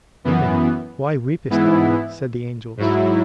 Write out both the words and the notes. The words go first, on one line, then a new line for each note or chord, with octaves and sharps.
"Woman, why weepest thou?" said the angels.
F#2 E3 B3
G#2 E3 B3 E4
G#2 F#3 E4